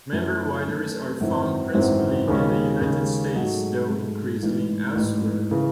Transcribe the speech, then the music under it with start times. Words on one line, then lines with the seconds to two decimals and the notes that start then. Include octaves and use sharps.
Member wineries are found principally in the United States, though increasingly elsewhere.
0.13 F#2 E3 A3 C#4
0.66 F#2 E3 A3 C#4
1.21 G#1 F#2 E3 C4
1.74 G#1 F#2 E3 C4
2.28 D#2 C#3 G#3 C#4
2.81 D#2 C#3 G#3 C#4
3.35 G#2 F#3 A3 D#4 G#4
3.88 G#2 F#3 A3 D#4 G#4
4.43 A1 G#2 E3
4.95 A1 G#2 E3
5.51 C#3 E3